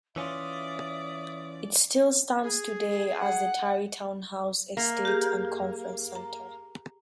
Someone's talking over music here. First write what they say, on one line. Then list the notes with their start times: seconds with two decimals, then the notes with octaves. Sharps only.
It still stands today as the Tarrytown House Estate and Conference Center.
0.16 E3 C#4 F4 D5 E5 D#6
2.42 G#4
3.20 F#5
4.77 A#3
5.05 G4 G#4 G6
6.15 A#5